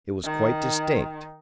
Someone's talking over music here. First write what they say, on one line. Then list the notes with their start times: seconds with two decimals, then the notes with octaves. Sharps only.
It was quite distinct.
0.24 D#3